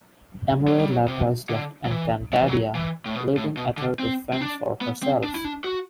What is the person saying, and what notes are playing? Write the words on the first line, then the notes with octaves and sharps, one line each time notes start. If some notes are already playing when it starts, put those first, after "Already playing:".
Emre likewise left Encantadia, leaving Ether to fend for herself.
F#3
G3
F#3
C3
D3
F#3
E3
F#3
E3
F#3
E3
A2
B2
A2
B2
D3
C4
C4
D4
B3
C4
D4
E4
D4
F#4